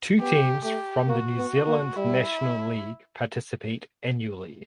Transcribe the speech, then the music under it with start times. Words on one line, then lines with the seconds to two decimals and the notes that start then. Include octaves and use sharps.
Two teams from the New Zealand National League participate annually.
0.20 B3 G4
0.63 A3 G4
1.08 A#3 F#4
1.38 B3
1.67 A#3
1.96 G3 E4